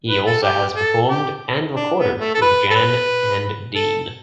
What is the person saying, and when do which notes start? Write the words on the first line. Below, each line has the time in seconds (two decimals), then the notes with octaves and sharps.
He also has performed and recorded with Jan and Dean.
0.09 B4
0.26 A4
0.43 G4
0.76 A4
1.09 G4
1.76 D4
1.98 B3
2.20 A3
2.35 A4
2.42 B4
2.70 A4
2.75 B4
3.76 A4